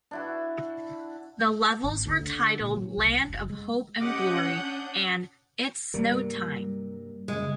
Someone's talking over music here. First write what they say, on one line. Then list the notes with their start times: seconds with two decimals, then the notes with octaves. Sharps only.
The levels were titled "Land of Hope and Glory", and "It's Snow Time".
0.11 D4 E4 F#4
1.84 G#1
2.06 D2
2.21 D3
2.60 A#2
2.76 F#3
2.97 C2
3.28 F#1
3.50 G#3
4.00 C#4 G4 D#5 F#5 D6 D#6 G6
4.56 D4
5.94 G2 C3 F#3 G3 A#3 A#4
7.28 F#2 C#3 G#3